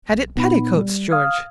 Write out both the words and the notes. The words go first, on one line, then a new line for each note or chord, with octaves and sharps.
"Had it petticoats, George?"
B1
A#2 B3 D#4 B5
G3
F5 D#6 F6 G#6